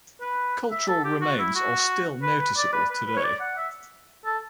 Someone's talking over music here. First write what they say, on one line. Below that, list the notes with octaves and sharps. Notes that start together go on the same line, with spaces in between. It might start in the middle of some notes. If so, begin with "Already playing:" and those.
Cultural remains are still noticeable today.
B4
E5
A4
G4
F#4
E4
F#4
B4
B4
D5
B4
B4
B4
C#5
D5
F#5
E5
A4